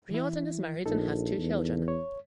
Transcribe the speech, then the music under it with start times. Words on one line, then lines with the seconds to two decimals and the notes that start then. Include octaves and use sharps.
Riordan is married and has two children.
0.11 E3 E4
0.86 A#1 D#4 A4
1.38 E2
1.88 C#5